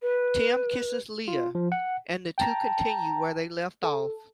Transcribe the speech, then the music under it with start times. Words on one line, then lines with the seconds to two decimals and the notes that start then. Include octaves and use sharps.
Tim kisses Leah, and the two continue where they left off.
0.02 B4
1.28 F4
1.55 F3
1.72 F#5
2.38 G5 A5 A#5
3.84 A4